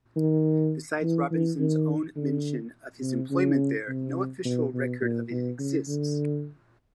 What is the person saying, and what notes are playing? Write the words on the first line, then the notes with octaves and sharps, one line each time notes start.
Besides Robinson's own mention of his employment there, no official record of it exists.
D#3
E3
E3
D#3
D3
C3
C#3
C3
B2
B2
A#2
B2
C#3
D3